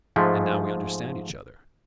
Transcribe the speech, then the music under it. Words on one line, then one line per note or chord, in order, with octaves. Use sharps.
"And now we understand each other."
G#2 F3 G#3 A3